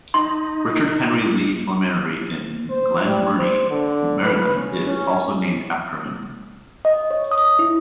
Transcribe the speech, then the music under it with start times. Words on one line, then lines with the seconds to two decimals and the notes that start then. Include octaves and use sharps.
Richard Henry Lee Elementary in Glen Burnie, Maryland is also named after him.
0.14 D#4 C6
2.70 C5
3.06 G3
3.38 C5
3.70 D3
4.25 B4
4.57 C#4
4.87 C#4
6.85 D#5
7.11 C#5
7.31 D#6
7.59 E4